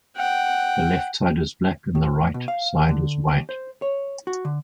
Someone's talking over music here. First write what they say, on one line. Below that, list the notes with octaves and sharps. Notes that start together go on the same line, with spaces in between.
The left side is black and the right side is white.
F#5 G5
A2
B2
F5
D3
D#2
C5
C#5
F#4
D3